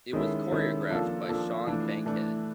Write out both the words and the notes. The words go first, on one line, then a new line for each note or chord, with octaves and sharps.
It was choreographed by Sean Bankhead.
D#3 G#3 C#4 E4 A4
D#3 G#3 C#4 E4 A4
F3 A#3 D4 F4 A4
F3 A#3 D4 F4 A4
E3 A3 D4
E3 A3 D4